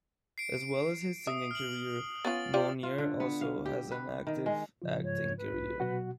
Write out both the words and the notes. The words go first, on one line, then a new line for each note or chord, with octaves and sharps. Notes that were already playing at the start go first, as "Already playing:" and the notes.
As well as his singing career, Mounir also has an active acting career.
C7 D7
E5 D#6
F6 F#7
B3 C#4 F4 A6
F4 G4 D5
F4
D3
B3
F5
G4
B4
D#3
G#3
C#3 F3 F4
G#2 C#5
B4
B1 F4
B2 F#3 F#4 F#5